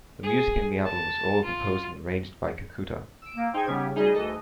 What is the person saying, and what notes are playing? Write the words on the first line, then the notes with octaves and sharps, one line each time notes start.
The music in the album was all composed and arranged by Kikuta.
G#4
A5
F4
E6 D7
A#3
D#4 G#4 C5 G5 G#6
C#3 G3 B3 C#4 G4
D2 G3 D#4 G#4 D#5
D2 E3 A4 D#5